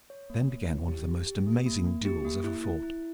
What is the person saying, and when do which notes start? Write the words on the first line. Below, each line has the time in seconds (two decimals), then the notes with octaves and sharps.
Then began one of the most amazing duels ever fought.
0.10 C#5
0.30 A#3
0.49 C#5
0.69 E4
0.88 G4
1.07 G4
1.27 G4
1.47 A#3
1.66 A#3
1.86 A#3
2.05 G4
2.25 A#3
2.44 E4
2.64 E4
2.83 E4